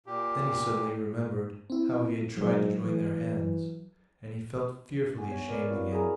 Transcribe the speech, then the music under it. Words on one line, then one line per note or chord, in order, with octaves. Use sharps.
Then he suddenly remembered how he had tried to join their hands, and he felt fearfully ashamed again.
A#2 G4
C4 E4
G#2 F#3
E3
B3 G#5
C#5
A#4 B4 D5
C4 E4 F#4 C#5 D5 F5
G#4 A#4 E5 G#5 A#5 B5